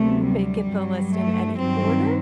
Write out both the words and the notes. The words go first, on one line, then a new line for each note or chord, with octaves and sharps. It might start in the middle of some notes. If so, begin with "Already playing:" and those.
m make it the list in any order.
Already playing: D2 C3 F#3 A3
G3
G2 F#3
A3
G2 D#3 F#3 C4